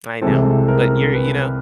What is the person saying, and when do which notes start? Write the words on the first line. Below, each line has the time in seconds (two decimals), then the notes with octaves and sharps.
I know. But you're you know?
0.21 C2 C3 E3 G#3 C4 A4
0.68 A#4
1.14 B4